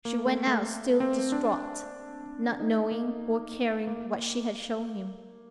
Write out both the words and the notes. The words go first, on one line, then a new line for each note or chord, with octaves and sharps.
She went out still distraught, not knowing or caring what she had shown him.
A#3
A3
A3
C4
D4
D#4
A#3
A#3